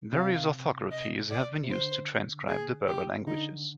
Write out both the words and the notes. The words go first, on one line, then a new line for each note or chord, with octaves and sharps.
Various orthographies have been used to transcribe the Berber languages.
C3 F5
D#5
D5
C3
D3 C5
G#4
G4
D3 D#4